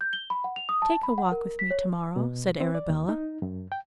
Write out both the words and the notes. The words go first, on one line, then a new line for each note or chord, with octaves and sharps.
"Take a walk with me to-morrow," said Arabella.
G6
G7
B5
F#5
F7
D#6
A5
B5
F#5
A#4
B6
C#5
B2
C4
D5
D#2
D#4
F#2
G5